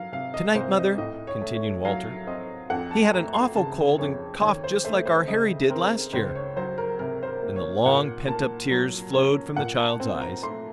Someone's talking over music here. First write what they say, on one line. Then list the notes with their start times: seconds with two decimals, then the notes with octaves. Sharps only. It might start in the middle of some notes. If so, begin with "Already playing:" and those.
"Tonight, Mother," continued Walter, "he had an awful cold and coughed just like our Harry did last year," and the long pent up tears flowed from the child's eyes.
Already playing: F#3 F5
0.12 C3 F5
0.34 D#5
0.55 C2 C5
0.77 D#5
0.98 A2 D#5
1.27 C#5
1.41 A3
1.55 C#5
1.85 F#3 F5
2.27 C4 D#5
2.70 F2 F#5
2.91 A5
3.13 A3 A#5
3.34 C6
3.55 C#3 A5
3.98 F2 C#5
4.41 D#2 C#5
4.64 C5
4.85 A3 C5
5.06 C5
5.28 C#3 D#5
5.70 C4 A#4
6.13 C#2 C5
6.35 C#5
6.56 F#3 C5
6.78 A#4
6.99 C3 A#4
7.23 C5
7.27 A#4
7.42 A#3
7.56 C#5
7.86 A#2 F#5
8.28 A#3 A5
8.71 F#3
9.14 C#4
9.56 A#2 F#5
9.78 A5
10.00 C4
10.21 A#5
10.43 A3 C6